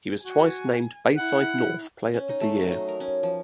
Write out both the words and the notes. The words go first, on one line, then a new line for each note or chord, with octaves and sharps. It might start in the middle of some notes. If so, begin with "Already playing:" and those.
He was twice named Bayside North Player of the Year.
F#4 G#5
E4 F#5
C#4
D#4
A3
F#3
D#4
A#4
C#4
F3